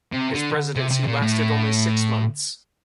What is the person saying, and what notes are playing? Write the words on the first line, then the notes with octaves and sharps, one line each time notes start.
His presidency lasted only six months.
C3
D3
C3
C3
A#2
A2